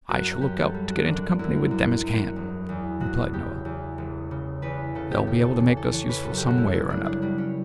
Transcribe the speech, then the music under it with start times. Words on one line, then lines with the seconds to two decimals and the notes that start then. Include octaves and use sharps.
'I shall look out to get into company with them as can,' replied Noah. 'They'll be able to make us useful some way or another.
0.09 F#2 F#4
0.41 F#2 G4
0.58 A4
0.74 G3
0.90 F#4
1.06 F#2 D4
1.39 F#2 E4
1.71 F#2
2.04 F#2
2.36 E1
2.69 E2
3.00 E1 F#4
3.33 C#3 G4
3.65 E2
3.98 E1
4.31 C#3
4.62 E2 B4
4.95 C#3 A4
5.11 G4
5.27 C#3 G4
5.44 A4
5.60 E3
5.77 A4
5.92 E3 C#5
6.09 B4
6.24 F#2 A4
6.37 G4
6.48 F#4
6.57 G3 E4
6.74 E4
6.89 C#3 D4
7.05 D4
7.22 G3 D4
7.38 C#4